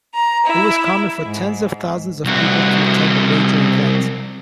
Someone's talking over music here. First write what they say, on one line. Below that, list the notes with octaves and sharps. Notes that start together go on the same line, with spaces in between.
It was common for tens of thousands of people to attend a major event.
A#5
E4
G#2
C2 F#4